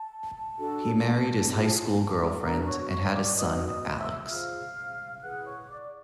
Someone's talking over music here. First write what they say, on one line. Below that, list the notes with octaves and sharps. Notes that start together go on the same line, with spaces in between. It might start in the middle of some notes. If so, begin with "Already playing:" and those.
He married his high school girlfriend and had a son Alex.
Already playing: A5
D4 F#4 A4
F4 G#4 C#5
D4 F#4 A#4 B4 A#5
C#5 C#6
C#5 C#6
D5 D6
D#4 F#4 B4 D#5 D#6
D#5 D#6
E5 E6
F4 G#4 C5 F5 F6
E4 G#4 B4 F#5 F#6
C#5 C#6
D5 D6